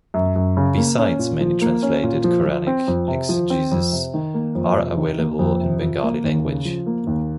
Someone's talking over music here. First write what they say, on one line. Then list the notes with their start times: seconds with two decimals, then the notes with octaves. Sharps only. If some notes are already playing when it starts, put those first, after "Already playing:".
Besides many translated Quranic exegesis are available in Bengali language.
0.14 F#2
0.36 F#2
0.57 C#3
0.78 A#3
0.98 C#4
1.19 A#2
1.41 F3
1.62 A#3
1.83 C#4
2.03 A#2
2.24 F3
2.45 F3
2.67 C4
2.88 F2
3.08 C3
3.29 F3
3.50 C4
3.72 F2
3.92 C3
4.14 D#3
4.34 A#3
4.55 F2
4.76 C3
4.97 D#3
5.18 A#3
5.39 F2
5.60 C3
5.81 F3
6.03 A#3
6.24 D#2
6.45 C#3
6.65 F3
6.86 A#3
7.07 D#2